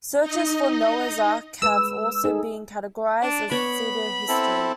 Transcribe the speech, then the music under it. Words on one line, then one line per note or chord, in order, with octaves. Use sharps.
Searches for Noah's Ark have also been categorized as pseudohistory.
D#4 D#5
G#3 B4 E6
D#4 G#4 A4
D4
B3 C#5 B5
C4 E4 A4